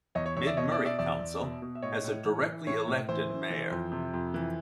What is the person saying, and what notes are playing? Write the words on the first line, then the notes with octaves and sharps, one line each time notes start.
Mid Murray Council has a directly-elected mayor.
E2 C#5 D#5
C#5
E2 C#5
D5 E5
B2 C#5 D#5
D5 E5
B2
D5 E5
E2 D5 E5
E2
B2
B2
E5
A2 C#5 D#5
A2
E3
E3
A2 C#5
A2
E3 C5
E3
E3
F2
C3
F2
E3